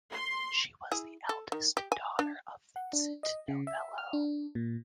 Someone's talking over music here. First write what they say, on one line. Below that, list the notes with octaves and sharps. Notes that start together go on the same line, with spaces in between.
She was the eldest daughter of Vincent Novello.
C6
E4 G#4
A4
D#3
G4
G#5
D4
F#5
D4
D#5
C#3
E5
F6
D4
A#2